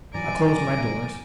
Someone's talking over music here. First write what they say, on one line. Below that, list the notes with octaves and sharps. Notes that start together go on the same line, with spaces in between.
I closed my doors.
G2 E3 F#3 D5 G#5 A#5 D7